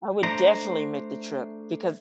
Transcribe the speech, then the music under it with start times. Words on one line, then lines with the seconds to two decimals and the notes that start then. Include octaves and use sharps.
I would definitely make the trip, because
0.23 A3 D4 C5 A#5